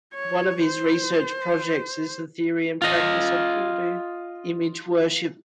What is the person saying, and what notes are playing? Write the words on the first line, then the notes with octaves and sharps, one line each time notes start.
One of his research projects is the theory and practice of Hindu image-worship.
C#5
C5
F4 D#5